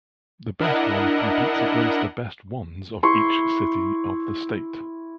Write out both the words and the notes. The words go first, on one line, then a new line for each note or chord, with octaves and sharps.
The best one competes against the best ones of each city of the state.
D4 E4 A#4 D#5 F#5
E4 C6 C#6